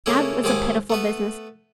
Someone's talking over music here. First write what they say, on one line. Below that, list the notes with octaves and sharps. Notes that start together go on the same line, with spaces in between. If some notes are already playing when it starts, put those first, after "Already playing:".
That was a pitiful business.
C#3 A3 A#3 C#4 E4
D#2 G#2 D#3 E4 G#4 D6
A3 B3 B4